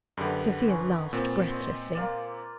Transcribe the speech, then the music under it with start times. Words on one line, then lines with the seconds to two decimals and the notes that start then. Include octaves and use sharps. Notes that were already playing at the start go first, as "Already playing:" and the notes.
Sofia laughed breathlessly.
0.17 F#2 D3 G3 B3
0.68 C#4
1.13 A#2 C4
1.51 C5 D#5
1.95 A#3 F4 D5